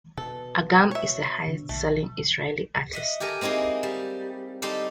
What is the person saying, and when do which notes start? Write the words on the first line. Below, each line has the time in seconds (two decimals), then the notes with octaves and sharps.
Agam is the highest-selling Israeli artist.
0.17 B2 A4
0.91 C#5 E5
1.48 D3
1.69 B1 A3
2.93 D#5 E5 F#5
3.20 G4 A4 A#4 G#5
3.41 A#3 C4 D#4 E4 G#4
3.83 G3
4.62 G3 D#4 G4 A4 C5